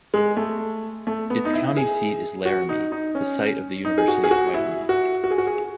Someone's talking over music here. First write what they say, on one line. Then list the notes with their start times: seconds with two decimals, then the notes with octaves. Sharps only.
Its county seat is Laramie, the site of the University of Wyoming.
0.14 G#3
0.37 A3
1.07 A3
1.30 B3
1.45 D#4
1.53 E4
1.77 G#4
2.45 F#4
2.69 D#4
2.92 D#4
3.15 C#4
3.85 D#4
3.98 G#4
4.08 F#4
4.24 G#4
4.31 F#4
4.54 E4
4.89 F#4
5.24 F#4
5.31 G#4
5.38 F#4
5.47 G#4